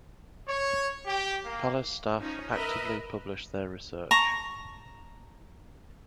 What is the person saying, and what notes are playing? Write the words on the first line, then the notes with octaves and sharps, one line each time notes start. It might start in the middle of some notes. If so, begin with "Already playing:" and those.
Palace staff actively publish their research.
C#5
G4
A#3
F3 C#4 D#4
A#4 B4 D#5 E5 B5
A5 A#5 C#6